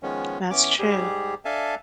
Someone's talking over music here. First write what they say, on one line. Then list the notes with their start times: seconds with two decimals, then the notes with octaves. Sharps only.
That's true.
0.03 D#3 F3 G#3 B3 C#4
0.50 E3 B3 C#4 D6
0.78 G#2 G3 G4 G#4
1.45 D4 A4 E5 F5 G#5 A5